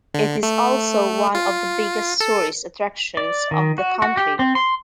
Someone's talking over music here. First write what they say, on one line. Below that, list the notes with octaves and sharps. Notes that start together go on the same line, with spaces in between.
It is also one of the biggest tourist attractions of the country.
D3
A3
F4
A4
D5
D#3
F#4
F#4
G4
C4
C6